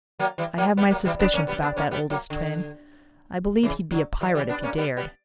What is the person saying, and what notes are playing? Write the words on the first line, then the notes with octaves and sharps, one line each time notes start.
I have my suspicions about that oldest Twin. I believe he'd be a pirate if he dared.
F#3 A#3
E3 G3
F#3 A#3
G3 B3
F#3 A#3
E3 G3
B3 D4
A#3 C#4
G3 B3
B3 D4
A#3 C#4
G3 B3
F#3 A#3
D3
C#3 E3
D3 F#3
E3 G3
E3 G3
B3 D4
A#3 C#4
G3 B3
G3 B3